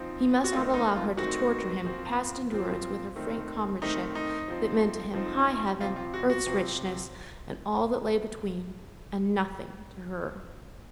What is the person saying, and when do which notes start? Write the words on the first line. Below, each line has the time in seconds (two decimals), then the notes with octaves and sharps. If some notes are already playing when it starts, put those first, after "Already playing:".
He must not allow her to torture him past endurance with her frank comradeship that meant to him high heaven, earth's richness, and all that lay between, and NOTHING to her.
Already playing: F3 C4 D#4
0.44 F#4
0.52 D#3 A3 C4 D#4 F4
0.74 D#4
0.96 F4
1.17 D#3 A3 C4 D#4 F#4
1.84 A#2 F3 C4
2.51 A#2 F3 C4
3.16 D#3 A3 C4
3.82 D#3 A3 C4 D#4
4.15 D#4
4.48 F3 C4 D#4
5.14 F3 C4 D#4
5.80 C3 F3 C4 F4
5.96 F4
6.14 F#4
6.30 F#4
6.46 C3 F3 C4